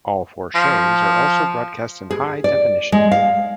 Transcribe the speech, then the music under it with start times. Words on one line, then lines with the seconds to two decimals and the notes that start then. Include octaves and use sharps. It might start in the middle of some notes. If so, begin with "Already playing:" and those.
All four shows are also broadcast in high definition.
0.55 F3
2.10 G#4
2.44 D5
2.92 G#3
3.11 F5